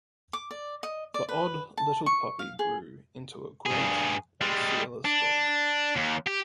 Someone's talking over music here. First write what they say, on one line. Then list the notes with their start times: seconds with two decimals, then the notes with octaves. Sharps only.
The odd little puppy grew into a great and fearless dog.
0.33 D6
0.51 D5
0.83 D#5
1.14 D5
1.29 B4
1.77 A5
2.06 C#6
2.39 F5
2.59 G#4
3.66 G2 G#4
4.41 G3 G#3
5.05 D4
5.96 D#2
6.27 G4